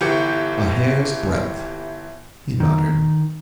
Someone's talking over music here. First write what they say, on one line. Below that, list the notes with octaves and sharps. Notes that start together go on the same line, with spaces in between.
"A hair's-breadth," he muttered.
G1 E3 G4 G6 C#7
D#3